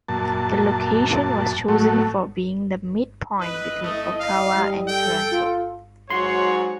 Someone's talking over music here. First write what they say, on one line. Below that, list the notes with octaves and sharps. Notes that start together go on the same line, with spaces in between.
The location was chosen for being the midpoint between Ottawa and Toronto.
F#2 A#2 A5
A2 F#3 A3
E4 B4 D#5
A3
F5
G3
A4 G5
F4
G#2 F#3 F#4 C#5 C6